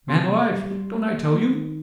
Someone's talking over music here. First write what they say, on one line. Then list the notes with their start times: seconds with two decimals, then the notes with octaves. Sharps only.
'Man alive, don't I tell you?
0.08 C3 C6
0.28 A#3
0.49 G3
0.70 G3
0.91 A#3
1.11 A#3
1.32 A#3
1.53 D#3